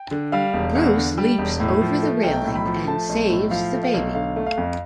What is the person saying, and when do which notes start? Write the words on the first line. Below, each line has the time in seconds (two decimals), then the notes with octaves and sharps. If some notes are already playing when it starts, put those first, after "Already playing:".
Bruce leaps over the railing and saves the baby.
Already playing: G5
0.11 D3
0.32 G3 F5
0.54 E1
0.75 E2
0.96 D3
1.18 G3
1.39 E1
1.60 A2
1.81 F3
2.02 A3
2.23 B1 G5
2.45 A2
2.56 B5
2.66 F3
2.87 A3 A5
3.09 B1
3.30 A2
3.51 F3 F5
3.73 A3
3.83 F5
3.94 B1
4.15 D3 F5
4.36 A3
4.46 F5
4.57 F2